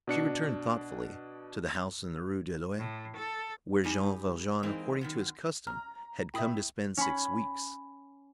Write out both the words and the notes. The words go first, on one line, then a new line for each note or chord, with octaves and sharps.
She returned thoughtfully to the house in the Rue de l'Ouest, where Jean Valjean, according to his custom, had come to spend six weeks.
B2 D4 C#7
A2
A4
G3 D#4 G4 G#5
E3 G#3 A#3 C4 D#4
F#2 B2 D#3
A#5 F6
A2 E5 G5 B5 D#6
C#4 B5